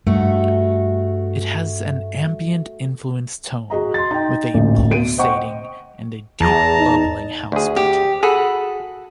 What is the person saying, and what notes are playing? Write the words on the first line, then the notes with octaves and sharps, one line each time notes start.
It has an ambient-influenced tone, with a "pulsating" and a "deep, bubbling" house beat.
G2 A3 F#4
F#4 G#4 D#5 A#5
C6 A6
D#4 G5
A1 D2 A#2
B2 D7 D#7
C5 D#5 F#5 G5 C#6
E2 G#4 A5 A#5
D#4
D2 G#4
G4
F#4 G#4 A4 B5